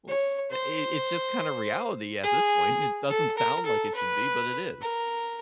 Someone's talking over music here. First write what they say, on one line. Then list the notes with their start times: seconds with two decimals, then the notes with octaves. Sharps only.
Well eh it it's just kind of reality at this point. It doesn't sound like it should be, but it is.
0.09 C#5
0.51 C5
2.23 G#4
3.10 A4
3.37 A#4
3.66 A4
3.95 B4
4.82 A#4